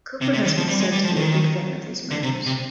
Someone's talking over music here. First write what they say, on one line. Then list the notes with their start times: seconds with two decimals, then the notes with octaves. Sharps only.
Cooper has been said to be a big fan of these movies.
0.21 C3
0.33 C3
0.45 D#3
0.57 F3
0.68 G3
0.81 G#3
0.92 G3
1.04 F3
1.16 D#3
2.11 D3
2.23 C3
2.46 C3